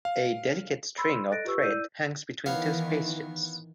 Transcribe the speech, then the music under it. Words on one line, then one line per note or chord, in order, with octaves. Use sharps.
A delicate string or thread hangs between two spaceships.
F5
B5 C6 E6
A4 D#5 F#6 A6 A#6 D7
F4 G4 B4 C#6 E6
E4 D5 E6 G6 D#7
D#3 E3 B3 C#5 F5